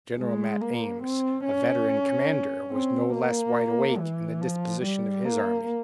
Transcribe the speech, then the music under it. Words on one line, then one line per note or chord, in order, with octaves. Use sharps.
General Mat Ames, a veteran commander, was no less wide-awake in the disposition of his army.
G#3
A#3
C4
C#4
C4
A#3
E3
F3
G3
A#3